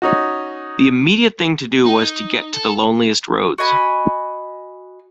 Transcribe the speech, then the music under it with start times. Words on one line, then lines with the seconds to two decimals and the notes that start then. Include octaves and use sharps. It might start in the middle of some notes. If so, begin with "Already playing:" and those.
The immediate thing to do was to get to the loneliest roads.
0.02 C#4 D#4 F#4
1.86 D#4
2.54 A4
3.58 F#4 D#5 G#5 B5